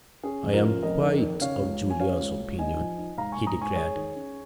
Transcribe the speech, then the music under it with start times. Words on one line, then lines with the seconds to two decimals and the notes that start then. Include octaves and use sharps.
"I am quite of Julius's opinion," he declared.
0.23 C#4 G#4
0.43 F1
0.53 F4 A#4
0.63 C#4
0.82 F2 A#4 D#5
1.03 D#3
1.22 D#3
1.41 C#3 C#5 F5
1.61 C#2
1.81 F3
1.90 G#5
2.00 C#4 C#5 F5
2.19 C#2
2.40 C#2
2.59 D#4 D#5 G#5
2.78 F3
2.98 D#4
3.17 G#2 F5 A#5
3.32 G#2 G#5 C#6
3.47 A#5 D#6
3.57 G#2 G#5 C#6
3.76 G#2 G#4 C#5
3.96 D#3
4.16 C#4